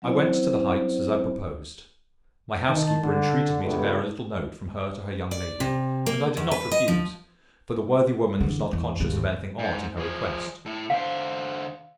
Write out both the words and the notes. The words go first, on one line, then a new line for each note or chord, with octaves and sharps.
I went to the Heights as I proposed: my housekeeper entreated me to bear a little note from her to her young lady, and I did not refuse, for the worthy woman was not conscious of anything odd in her request.
F#3 C4 C#4 E4 C5 D5
D#3 D#4 A5
D3
C#2 G2 A#2 A3 B3
D5
C3
A#3
E2
B4
D#5
F3
E2 D3
E2
D#2 G#2
G#2
F3 G#4
A2 A4
D3 C5 F5